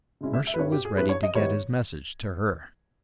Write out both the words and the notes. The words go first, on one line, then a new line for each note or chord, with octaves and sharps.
Mercer was ready to get his message to her.
C#3 G#3 C#4 E4
E5
E5
B4
G2 G3 C#4 E4 C#5
G4
G#4
G2 G3 C#4 E4 B4
C#5
D#5
D#3 G3 B3 E4 C#5